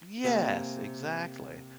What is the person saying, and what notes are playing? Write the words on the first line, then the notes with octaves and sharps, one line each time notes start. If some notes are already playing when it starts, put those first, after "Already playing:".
Yes, exactly.
C3 A#3 G#5 A5